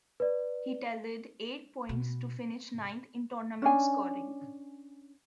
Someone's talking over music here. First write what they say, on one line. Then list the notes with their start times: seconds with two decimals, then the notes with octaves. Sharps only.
He tallied eight points to finish ninth in tournament scoring.
0.20 B4 D5
1.89 B2
3.62 C#4 D4 G#5